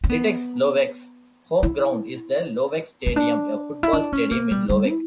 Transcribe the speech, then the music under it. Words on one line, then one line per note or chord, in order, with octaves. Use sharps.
Litex Lovech's home ground is the Lovech Stadium, a football stadium in Lovech.
C#4
B3
E4
C#4
D4
E4
D4
C#4
A#3
G3
G3
E4